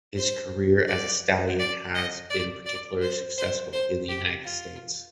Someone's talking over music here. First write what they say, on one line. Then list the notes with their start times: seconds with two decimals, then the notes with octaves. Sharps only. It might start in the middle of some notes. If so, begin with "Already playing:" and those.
His career as a stallion has been particularly successful in the United States.
0.17 C5
0.88 D5
1.59 D5
1.94 D#5
2.30 D5
2.66 D5
3.02 C5
3.38 C5
3.73 C5
4.08 G4
4.44 F4